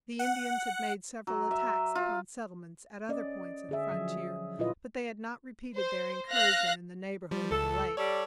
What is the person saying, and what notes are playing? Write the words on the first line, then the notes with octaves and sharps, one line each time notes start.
The Indians had made several attacks upon settlements at other points of the frontier, but they had not repeated their incursion in the neighborhood of the lake.
F#5
F#3
E5
F4
C#4 D5 D#5
D3 G#4 E5
F3 F#3
A#2 E4 F4 B4 D#5
C5
F5 F#6 A#6
F3 G3
C#2 A4
G3 A4 C#5 D5